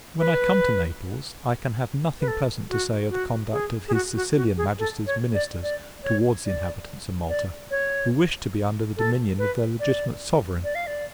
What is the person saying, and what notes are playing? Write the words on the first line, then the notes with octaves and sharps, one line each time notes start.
When I come to Naples, I can have nothing pleasant to say of the conduct of his Sicilian Majesty's ministers towards the inhabitants of Malta, who wish to be under the dominion of their legitimate Sovereign.
B4
B4
A4
F#4
F#4
G#4
G#4
F#4
F#4
F#4
G#4
A4
C#5
D5
D5
C#5
D5
D5
C#5
A4
B4
D5
D5
F5
D5